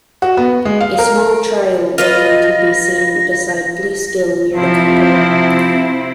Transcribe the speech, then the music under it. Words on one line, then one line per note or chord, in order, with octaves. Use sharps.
A small trial working can be seen beside Blease Gill near the contour.
F#4
B3
G#3
F5
A#4
F4 B4 D#5 A#6
C3 F3 C4 E4